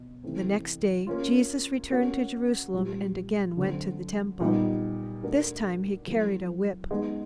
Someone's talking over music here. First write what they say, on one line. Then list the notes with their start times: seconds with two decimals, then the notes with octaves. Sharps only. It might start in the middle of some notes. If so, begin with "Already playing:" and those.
The next day Jesus returned to Jerusalem and again went to the Temple. This time he carried a whip.
Already playing: B2
0.24 C3 E3 A3 C4
1.07 A#3 C#4 F4
1.90 A#3 C#4 F#4
2.73 A#2 G3 C4 F4
3.57 D3 F#3 A3 C4
4.40 A#2 G3 B3 D#4 G4
5.23 A3 D4 F#4 A#4
6.07 F#3 A3 C4 E4
6.91 G#3 B3 D#4 G#4